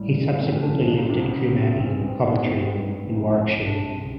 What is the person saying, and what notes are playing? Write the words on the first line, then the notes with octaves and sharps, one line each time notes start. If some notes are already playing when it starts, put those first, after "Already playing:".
He subsequently lived at Coombe Abbey, Coventry in Warwickshire.
Already playing: A1 A2 G3
G2
G#2
A1 A2 C4
C#4
D4
C#4
B1 B2 D4
C#3
C2 C3 D#4
C2 C3 D4
C#2 C#3 B3
G#2 C4
C#4
G2 C4
G#2
G#2 B3
C4
G#2
G2
G#2
A1 A2
A#1 A#2
B1 B2 D4
C2 C3
C#3